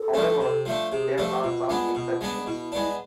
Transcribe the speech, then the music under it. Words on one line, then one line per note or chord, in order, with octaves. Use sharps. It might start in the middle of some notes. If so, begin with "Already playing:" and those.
However, there are some exceptions.
Already playing: A4
F3 A3 D4
C3
F3 A3 D4
C3 G#4
G4
F3 A3 D4
G4
B2 F4
G#3 B3 D4
B2
G#3 B3 D4
B2 E4
G#3 B3 D4